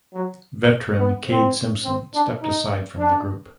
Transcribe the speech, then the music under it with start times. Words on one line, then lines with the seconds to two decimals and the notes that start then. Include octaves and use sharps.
Veteran Kade Simpson stepped aside from the group.
0.14 F#3
0.99 B3
1.27 C4
1.84 C4
2.14 D4
2.42 D#4
2.99 D4